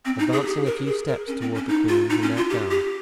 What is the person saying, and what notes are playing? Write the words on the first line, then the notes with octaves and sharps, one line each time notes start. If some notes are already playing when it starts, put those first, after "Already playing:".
Advancing a few steps toward the queen, he knelt down.
C4
D#4
G#4
G4
A#4
G#4
A#4
C#4
C4
C#4
D#4
F4
D#4
C#4
F4
G4
G4